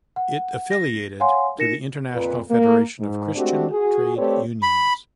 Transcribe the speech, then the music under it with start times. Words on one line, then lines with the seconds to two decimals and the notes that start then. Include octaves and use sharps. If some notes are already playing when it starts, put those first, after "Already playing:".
It affiliated to the International Federation of Christian Trade Unions.
0.16 F#5
0.71 A#6
1.20 C#5 F5 F#5 G#5 C6
1.58 D#4 A#4 A#6 C#7 E7
2.14 F2 A#2 B4
2.49 A#3
3.00 G#2
3.35 G#3 A3 C4 D4 F#4 G4
3.71 F#4 G#4
4.16 A3 C4 G4 B4 C#5 D5
4.62 B5